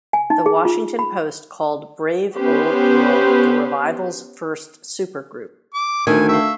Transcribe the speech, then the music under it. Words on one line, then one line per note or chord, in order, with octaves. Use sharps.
The Washington Post called Brave Old World the revival's first supergroup.
G#5
D#4
G#4
F4
B5
B3 C#4 G4 B4 C5
D6
D2 D#3 A3 D4 A4 G#5
E5 F5 C#6